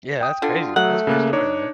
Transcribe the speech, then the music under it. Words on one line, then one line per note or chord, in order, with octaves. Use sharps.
Yeah, that's crazy. That's a great story, man.
G5 D#6
D3 F4
F#3 A3 F#5
C#3 A#3 F#6
D4 D#4 C#5